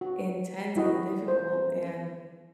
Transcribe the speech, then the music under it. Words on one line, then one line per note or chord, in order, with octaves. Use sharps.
intense and difficult, and
F#4
G3 E4 F#4 D#5 G5
C5